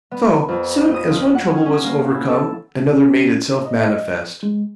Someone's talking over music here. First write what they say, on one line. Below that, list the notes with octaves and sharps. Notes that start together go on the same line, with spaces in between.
So soon as one trouble was overcome another made itself manifest.
B3
F2
D#6
F3
F#5
C#4
C#4
A#3
E4
A4
C#4
C#4
D#5
G#3